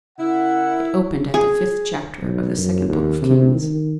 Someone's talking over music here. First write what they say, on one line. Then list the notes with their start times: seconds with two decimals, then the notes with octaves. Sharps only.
It opened at the fifth chapter of the second book of Kings.
0.19 C#3 E4 A#4 F#5
1.34 G#4
2.22 B1
2.58 F#2
2.88 D#2
3.22 C3
3.54 D#3